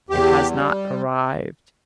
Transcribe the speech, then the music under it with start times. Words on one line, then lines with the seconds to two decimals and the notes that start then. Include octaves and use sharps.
It has not arrived.
0.10 E2 G4
0.51 G3